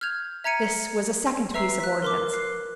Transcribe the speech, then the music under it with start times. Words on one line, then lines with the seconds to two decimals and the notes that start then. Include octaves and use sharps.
This was a second piece of ordnance.
0.01 F6 G6 G#6 F7
0.44 E5 A#5 G#6 C#7 D#7
1.54 B4 E5 A#5 E6 C7
1.80 F#6 B6
2.02 A#4 C6 D6
2.33 F#6 C7